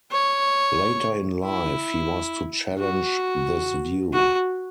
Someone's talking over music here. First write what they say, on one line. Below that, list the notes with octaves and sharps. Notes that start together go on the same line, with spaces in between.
Later in life, he was to challenge this view.
C#5
E4
F#4
F#4